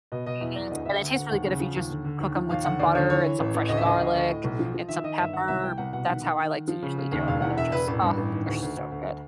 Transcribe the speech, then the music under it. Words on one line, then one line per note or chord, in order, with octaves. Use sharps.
Mhm, and it tastes really good if you just cook 'em with some butter, and some fresh garlic, and some pepper. That's how I like to usually do 'em, and they're just- ugh!- they're so good.
B2 D#5
B2 D#5
E2 E5
E2 D5
D2 D#5
D2 E5
D3
D2 F#5
D#2 F#5
C#3
F3
D#2
D3
D3
D#2
F3
D#2 F5
D3 F#5
D#2 D5
D3 C#5
E3 C#5
E3
A1
A1
D2 D#5
E5
D2 D#5
D2
D2
A2
B1
F3
F3
D#3 E5
D#3 D#5
G1 E5
D#3 F#5
C2 E5
C2 G5
C2 F#5
B2 F#5
D#3 F#5
D#3
D#3
D#3
F3
C#3
C#3
D#2
E1 F5
E2 F#5
E1 E5
E1 B4
A1
G2
A1
D#3
D2
D2
D2
D2